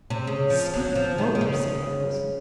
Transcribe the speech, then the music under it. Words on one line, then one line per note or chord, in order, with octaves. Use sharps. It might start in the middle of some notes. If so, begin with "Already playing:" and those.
"Speak lower!" said Athos.
C3
C#3
F3
F#3
F3
D#3
D#3
C#3